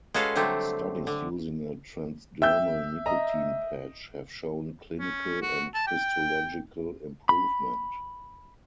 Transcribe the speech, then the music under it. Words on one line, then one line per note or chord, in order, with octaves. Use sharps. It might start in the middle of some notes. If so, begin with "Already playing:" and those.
Studies using a transdermal nicotine patch have shown clinical and histological improvement.
G#3 C#4 F#4 A4 B4 F5
D3 F#3 G3 A3 C4
D3
E5 G5 E6 G6
D#5 A#5
C#4
F#4
A5
G5
B5